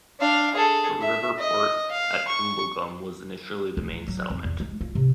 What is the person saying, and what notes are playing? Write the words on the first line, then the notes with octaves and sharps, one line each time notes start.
The river port at Tumbulgum was initially the main settlement.
D4 F5
G#4 A4
E5
D#5
F5
C#6
D2
F#3
F#3
F2
E2
G#3
F4
C3